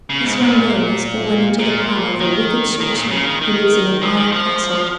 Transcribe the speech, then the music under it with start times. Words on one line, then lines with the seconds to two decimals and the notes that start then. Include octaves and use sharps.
This young girl has fallen into the power of a wicked sorcerer, who lives in an iron castle.
0.10 C#3
0.24 G#2
0.39 A#2
1.59 A#2
2.20 D#3
2.81 D#3
2.96 A#2
3.11 C#3
3.26 D#3
3.41 D#3
4.02 F3
4.17 D#3
4.32 F3